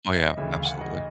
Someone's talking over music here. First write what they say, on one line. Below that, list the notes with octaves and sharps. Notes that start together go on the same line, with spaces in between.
Oh yeah, absolutely.
E5
D#5
D2 C#3 E3 E5
F5
F#5
D#5